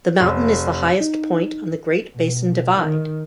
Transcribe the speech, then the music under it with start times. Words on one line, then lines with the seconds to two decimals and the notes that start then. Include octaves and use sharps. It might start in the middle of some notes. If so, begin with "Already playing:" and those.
The mountain is the highest point on the Great Basin Divide.
0.20 F1
1.01 D#4
2.14 B2
2.75 D#3